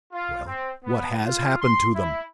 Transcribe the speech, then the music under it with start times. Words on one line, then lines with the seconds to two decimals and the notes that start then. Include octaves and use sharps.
"Well, what has happened to them?"
0.12 F4
0.47 C4
0.84 B3
1.24 F4
1.60 C6
1.95 E4